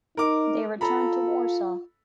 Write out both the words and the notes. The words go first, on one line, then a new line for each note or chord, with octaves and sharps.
They returned to Warsaw.
D#4 A#4 D6
F4 A4 A#5 B5